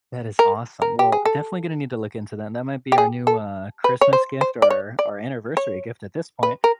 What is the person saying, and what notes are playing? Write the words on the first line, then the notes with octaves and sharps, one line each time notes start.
That is awesome, well, definitely gonna need to look into that, that might be our new, uh, Christmas gift or or anniversary gift at this point,
A#4
A#4
G4
G#4
A4
G4
G#4
A4
B4
C#5
C5
C5
D5
C#5
D5
C#5
B4
A#4